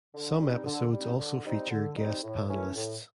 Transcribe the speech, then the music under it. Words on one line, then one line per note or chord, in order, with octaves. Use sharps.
Some episodes also feature guest panelists.
D3
G3 C4 D#4
D3
G3 C4 D#4
D3
G3 C4 D#4
D3
G3 C4 D#4
A2
E3 A3 C#4
A2